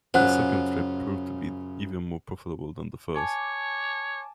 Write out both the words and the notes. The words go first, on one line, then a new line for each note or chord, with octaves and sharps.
The second trip proved to be even more profitable than the first.
F#2 C#3 F4 C5 F#5 F#6
C#5 G#5 A5 D6